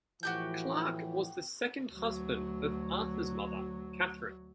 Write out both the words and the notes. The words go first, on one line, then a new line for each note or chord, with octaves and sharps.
Clarke was the second husband of Arthur's mother Katherine.
A2 E3 F3 F#4 G4 G6
D2 F#3